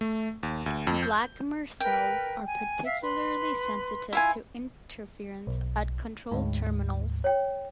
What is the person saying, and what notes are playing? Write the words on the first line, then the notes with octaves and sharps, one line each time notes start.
Blackmer cells are particularly sensitive to interference at control terminals.
A3
D#2
D2
F2
G6
A#4 B4 G5
G#5
E5 F5 E6
B4 C6
E4 F4 G#5
B1
D2 G#2
C#5 G5